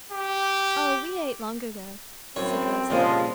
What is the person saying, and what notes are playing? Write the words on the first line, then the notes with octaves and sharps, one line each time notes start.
"Oh, we ate long ago," said Rosa.
G4
F#2 A2 C4 C#5
C2 A#2 C#3 F3 G#3 F4